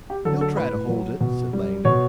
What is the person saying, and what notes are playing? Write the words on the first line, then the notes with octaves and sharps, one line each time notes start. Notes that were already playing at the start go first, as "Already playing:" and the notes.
"He'll try to hold it," said Langdon.
G4
D3 F#3 A4
A4
A2 B4
F#3
B2
G3
B2 C#5